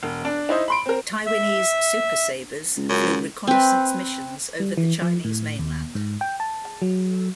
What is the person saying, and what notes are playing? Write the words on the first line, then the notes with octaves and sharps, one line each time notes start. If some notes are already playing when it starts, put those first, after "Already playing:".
Taiwanese Super Sabres flew reconnaissance missions over the Chinese mainland.
E1
D4
D#4 E4 C5 D#5
B5 C6 D7
C4 A#4
E5
C#2
F#2
C4 B4
G3
E3
F3
A2
D#2
G#2
G5
A5
F#3